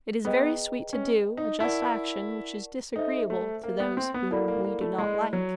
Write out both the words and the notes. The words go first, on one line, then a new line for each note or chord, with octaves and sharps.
It is very sweet to do a just action which is disagreeable to those whom we do not like.
B3 G#4 B4 D#5 G5 A#5
C#4
D#4
E4 A#4 D5 F#5 A5 C#6
D#4 A4 C5 E5
A3
A#3
B3
C4
B3
A#3 E4 A4 D5 F#5 B5
A#3
A#3
A3
G#3
F#3